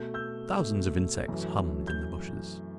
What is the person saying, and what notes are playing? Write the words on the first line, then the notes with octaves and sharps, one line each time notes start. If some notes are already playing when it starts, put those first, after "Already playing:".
Thousands of insects hummed in the bushes.
Already playing: B2 A3 G6
E6 G6
B2 A3
F#2 E3 A3
G6